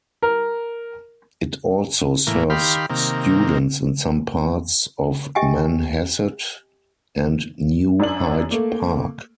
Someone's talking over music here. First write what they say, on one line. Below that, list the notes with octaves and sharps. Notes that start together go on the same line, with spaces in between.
It also serves students in some parts of Manhasset and New Hyde Park.
A#4
A2 E3 A#3
D#3 G4 F5 B5 C6
C3 D#3 A#3
G4 D#5 E5 G5 G#5
F#2 D4 F#7
A3 A#3